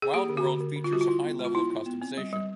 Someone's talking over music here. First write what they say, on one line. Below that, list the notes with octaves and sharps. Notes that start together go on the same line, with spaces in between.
"Wild World" features a high level of customization.
G#4
A#3 G4
D3
F#4
D3
D3
D3
F4
G3 F#4
F4
E4
B3
G#3
F4
B3 E4
E4
B3
C4
G3
G3